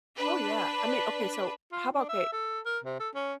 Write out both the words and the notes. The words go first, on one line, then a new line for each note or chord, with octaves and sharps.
Oh, yeah. I mean, okay. So how about, 'kay
D4 B4
F4
D4
E5
A4
A#4
C3
A4
C#4